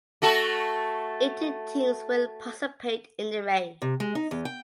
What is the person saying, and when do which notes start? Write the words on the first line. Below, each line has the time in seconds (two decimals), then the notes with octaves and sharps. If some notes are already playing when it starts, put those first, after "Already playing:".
Eighteen teams will participate in the race.
0.22 A3 F#4 A4
3.82 C3
4.00 G#3
4.15 D#4
4.31 E2
4.45 G5